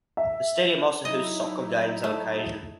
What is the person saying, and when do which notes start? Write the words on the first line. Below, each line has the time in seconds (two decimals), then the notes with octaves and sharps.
The stadium also hosts soccer games on occasion.
0.17 E5
1.05 F#3 D#4 E4 D#5
2.04 A3